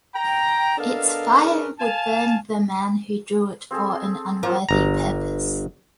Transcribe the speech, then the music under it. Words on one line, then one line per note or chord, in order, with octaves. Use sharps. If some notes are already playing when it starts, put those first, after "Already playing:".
Its fire would burn the man who drew it for an unworthy purpose.
G5 A#5
B3 D4 A4 A#4 D#5 F5
C#4 D4 G#4 A#4 B4
F5 G#5 A5
C4 G#4 A4
F3 A#3 F4
G1 A#5